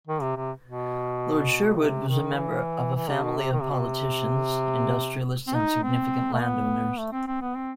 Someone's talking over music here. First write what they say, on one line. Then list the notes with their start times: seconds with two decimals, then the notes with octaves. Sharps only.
Lord Sherwood was a member of a family of politicians, industrialists and significant landowners.
0.07 D#3
0.22 C3
0.36 C3
0.65 B2
1.76 D#3
1.80 C3
2.09 D#3
2.38 E3
2.95 E3
3.10 C3
3.25 B2
3.39 C3
3.53 D#3
3.62 C3
3.71 B2
3.80 C3
5.48 C4
5.55 D#4
5.83 C4
6.34 A3
6.41 B3
6.99 A3
7.13 C4
7.27 C4
7.42 B3
7.56 C4